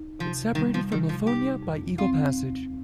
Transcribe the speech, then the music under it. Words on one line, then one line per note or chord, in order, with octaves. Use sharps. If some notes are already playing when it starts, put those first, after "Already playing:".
It is separated from Lafonia by Eagle Passage.
Already playing: D#4
C3 F3
D#3 G3
F3
C3 D#3
F3
D#4 G4
F2
C4 F4
D#2